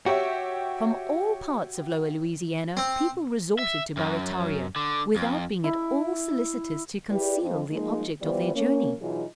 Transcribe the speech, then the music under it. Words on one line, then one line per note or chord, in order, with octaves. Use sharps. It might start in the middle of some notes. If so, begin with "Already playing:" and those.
From all parts of Lower Louisiana, people resorted to Barrataria, without being at all solicitous to conceal the object of their journey.
F#4 G4 C#5 E5
C4
E5
F#2
D3
F2
E4
E4 G4 G#4 B4 D5
F2 F3
F3 G#3 A#3 D#4
E3 G3 B3 F4 C5 D5
A#3 C#4
B2 E3 F#3 D#4 F4 G#4